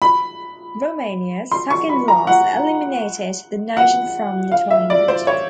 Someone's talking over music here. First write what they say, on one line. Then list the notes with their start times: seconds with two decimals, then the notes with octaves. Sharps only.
Romania's second loss eliminated the nation from the tournament.
0.02 B5
1.52 C6
1.70 C#6
1.89 B5
2.08 A#5
2.27 F#5
3.77 F#5
4.52 F5
4.71 E5
4.90 D5
5.08 C5
5.27 C#5